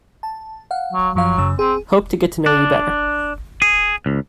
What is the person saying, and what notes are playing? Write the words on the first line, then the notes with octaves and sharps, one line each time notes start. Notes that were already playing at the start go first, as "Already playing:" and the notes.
Hope to get to know you better.
A5
F5 F#5
F#3
F#2 F3 F#3 F5
F#2 C#3 E6
C4 G#4
D4
G#4
C#2